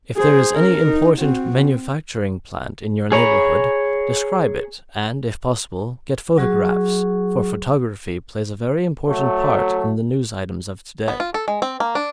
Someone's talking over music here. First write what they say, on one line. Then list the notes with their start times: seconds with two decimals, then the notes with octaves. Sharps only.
If there is any important manufacturing plant in your neighborhood describe it and, if possible, get photographs, for photography plays a very important part in the news items of to-day.
0.17 G#4 C5
0.55 C#4 A#4
0.84 D#4
1.19 C4 F#4
1.57 C4
3.12 G#4 C#5 A#5 B5
6.38 F#3 F#4 G#4 C#6
9.09 F#3 A3
11.08 B3
11.20 F4
11.34 A4
11.48 G#3
11.62 C4
11.80 A#3
11.95 D4